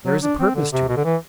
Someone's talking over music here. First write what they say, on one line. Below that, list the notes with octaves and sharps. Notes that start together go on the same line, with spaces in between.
There is a purpose to it.
F#3
D4
C4
D3
C3
B2
D3
E3